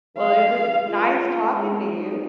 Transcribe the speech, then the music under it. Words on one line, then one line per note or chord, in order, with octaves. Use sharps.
Well, it was nice talking to you.
F5
F4
G#3
D#4